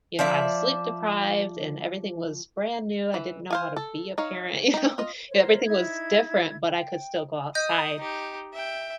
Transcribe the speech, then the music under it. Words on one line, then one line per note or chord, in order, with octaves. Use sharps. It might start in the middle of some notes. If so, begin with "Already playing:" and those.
you know, I was sleep deprived and everything was brand new, I didn't know how to be a parent, you know? Everything was different, but I could still go outside,
F3 D5 E5
E3
C5 F5 G#5
A4
D#4 C#5 F5
D#4 G5
F4 D#5
A#4 C5 C#5
D#4 E4 G#6
G5
D#5 D#6 G6
D#4 G4
E5 G5